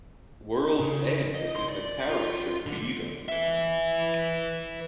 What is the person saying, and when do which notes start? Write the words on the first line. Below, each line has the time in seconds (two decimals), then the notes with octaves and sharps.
World's End is in the parish of Beedon.
0.80 C#3
1.35 D#5
1.56 C6
1.68 D5
2.09 F4
2.66 D3
3.29 B4 E5